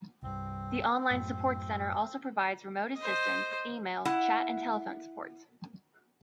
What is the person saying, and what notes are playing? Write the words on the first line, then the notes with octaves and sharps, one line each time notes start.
The online Support Center also provides remote assistance, email, chat and telephone support.
C2 G2 C4
F#2 A2
C5 D#5
E4 F#5